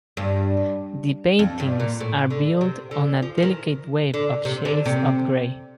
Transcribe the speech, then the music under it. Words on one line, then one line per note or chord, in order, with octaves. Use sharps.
The paintings are built on a delicate web of shades of grey.
G2
F2
G2
A#2
A2
D3
C3
D3
F3
F3
D#3
D3
C3
D3
C3